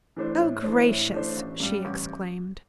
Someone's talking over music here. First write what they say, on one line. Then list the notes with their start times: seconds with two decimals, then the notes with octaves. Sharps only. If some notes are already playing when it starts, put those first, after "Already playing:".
"Oh, gracious!" she exclaimed.
0.17 E3 A3 D4 C5
0.40 A2
0.64 E3 A3 D4 C5
0.89 A2
1.13 E3 A3 D4 C5
1.37 A1
1.60 G2 G3
1.85 A1